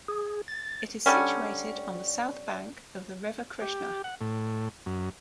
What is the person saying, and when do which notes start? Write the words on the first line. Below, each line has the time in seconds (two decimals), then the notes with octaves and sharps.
It is situated on the south bank of the River Krishna.
0.08 G#4
0.48 A6
1.06 D3 G3 C#4
3.62 G4
4.04 F#5
4.21 A2
4.86 F#2